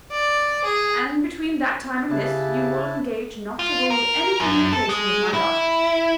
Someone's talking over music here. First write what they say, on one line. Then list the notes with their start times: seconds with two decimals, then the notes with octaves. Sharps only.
"And between that time and this, you will engage not to hold any communication with my daughter?"
0.12 D5
0.64 G#4
2.10 C#3 E4 G4 A5 D6 F#6
3.59 F4
3.90 A#4
4.40 F#2
4.73 A4
4.89 G#3
5.34 E4